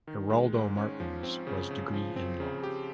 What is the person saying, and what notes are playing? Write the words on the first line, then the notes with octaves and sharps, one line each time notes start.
Geraldo Martins was degree in Law.
D#3
G#3
G#2
C#4
F3
C4
C#3
C#3
F3
C4
C#3
G4